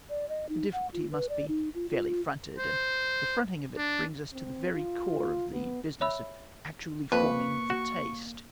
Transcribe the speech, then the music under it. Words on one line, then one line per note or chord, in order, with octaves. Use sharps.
The difficulty must be fairly fronted, and the fronting of it brings us to the very core of the business of actually forming the taste.
D5
D#5
D#4
F#5
F4
B4
D5
D#4
F4
F4
C5
D4
C4
F4
B3
C#5 E5 B5 E6
F2 A#3 B4 C#6
F#4